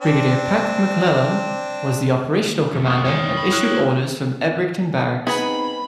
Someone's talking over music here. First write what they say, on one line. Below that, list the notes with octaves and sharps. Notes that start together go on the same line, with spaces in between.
Brigadier Pat MacLellan was the operational commander and issued orders from Ebrington Barracks.
C4 D4
F2
F3 A#3 C#6 D#6 F6
E2 D#3 C#5 G5
B5
E4 D#6 F6 F#6
B3 C4 D#4 G#4 B5